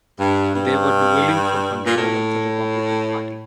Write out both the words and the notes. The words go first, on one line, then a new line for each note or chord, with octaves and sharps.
They were dueling for control of the Republican Party.
G2
G2
A#2
A2